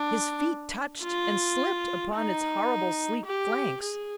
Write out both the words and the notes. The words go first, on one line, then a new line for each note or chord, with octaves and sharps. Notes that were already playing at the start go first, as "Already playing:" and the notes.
His feet touched and slipped upon its horrible sleek flanks.
Already playing: D4
F4
D#4
G4
G#4